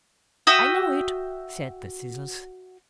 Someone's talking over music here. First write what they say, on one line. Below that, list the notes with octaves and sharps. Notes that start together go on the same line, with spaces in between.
"I know it," said the scissors.
F#4 E5 G5 D#6